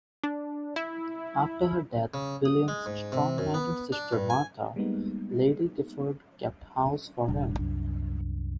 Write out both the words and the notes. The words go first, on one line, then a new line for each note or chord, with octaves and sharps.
After her death William's strong-minded sister Martha, Lady Giffard kept house for him.
D4
E4
C#3
D#6
G#3
G#2
C3
F#2
B3
D4
G2
G#5
G3 G#3 A#3 B3 D#4
E1 G3 D4
C2 F#2 D4